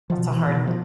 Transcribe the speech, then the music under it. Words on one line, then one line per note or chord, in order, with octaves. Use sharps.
That's a hard one.
F3
B2
E3
B2
D#3
F3